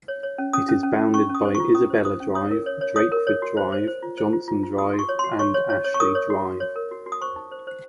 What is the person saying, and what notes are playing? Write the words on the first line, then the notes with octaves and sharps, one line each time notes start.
It is bounded by Isabella Drive, Drakeford Drive, Johnson Drive and Ashley Drive.
C#5
C#5
C#4
C#4 D#6
C#4
C#4
C#4
C#4 C#6
C#4
D#6
C5
C#6
F4
C#4 D#6
C5
C5 D#6
C#4
C#5 D#6
A#4
C#5
C#5
C#5 D#6
A#4
C#5
F#4
C5
C5
C5
F4
C5
F4
F4
F4
F#4 D#6
F#4
C#6
C#5
C6
F#4
C#5 C#6
C#5
C#5
C#5
C#6
A#4 D#6
C#5
F#4
F#4
C#5
A#4
F#4
F#4
D#6
C5 C#6
D#4
C5
C5